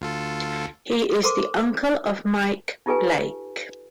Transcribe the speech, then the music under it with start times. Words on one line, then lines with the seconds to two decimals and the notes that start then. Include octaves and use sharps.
He is the uncle of Mike Blake.
0.01 D2 F4 A4
1.23 A4 A#4 C5 C6 D6
2.86 D#4 F4 G4 A4 B4 G#5